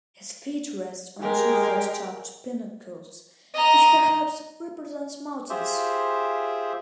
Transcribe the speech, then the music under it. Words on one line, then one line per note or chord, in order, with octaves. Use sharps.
His feet rest on two flat-topped pinnacles which perhaps represent mountains.
G#3 G4 A#4
D#5 A#5
F4 G4 G#4 C5 E5